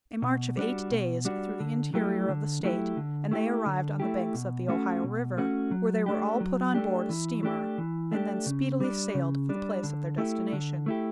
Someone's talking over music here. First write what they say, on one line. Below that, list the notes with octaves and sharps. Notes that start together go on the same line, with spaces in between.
A march of eight days through the interior of the state, and they arrived on the banks of the Ohio river, where they were all put on board a steamer, and then speedily sailed for the place of their destination.
B2
G3 D4 F#4
B2
G3 D4 F#4
D3
F#3 A3 E4 G4
D3
F#3 A3 E4 G4
D3
A3 E4 G4
D3
A3 E4 G4
B2
A3 C#4 F#4
B2
A3 C#4 F#4
F#3
A3 D4 G4
F#3
A3 D4 G4
E3
A3 D4 G4
E3
A3 D4 G4
C#3
G3 D4
C#3
G3 D4
D3
A3 E4 G4
D3
A3 E4 G4